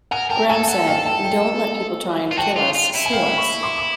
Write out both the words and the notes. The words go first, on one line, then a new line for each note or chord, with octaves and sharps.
Graham said, We don't let people trying to kill us sue us.
A#4 F#5 G#5
A#4 G5 A5
A4 G#5 A#5
A4 F#5 G#5
F5 G5
G5 A5
G5 A5
F4
F#4 G5 A5
F4
F4
E4
G#5
F5 G5
B5 C#6
C6 D6
D6